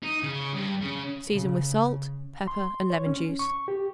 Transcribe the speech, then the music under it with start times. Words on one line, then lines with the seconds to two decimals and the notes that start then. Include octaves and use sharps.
Season with salt, pepper and lemon-juice.
0.03 D#4
0.23 C#3
0.54 G2
0.81 C#3
1.33 C#3
2.48 C6
2.90 C#5
3.06 C#4
3.39 C#6
3.68 G4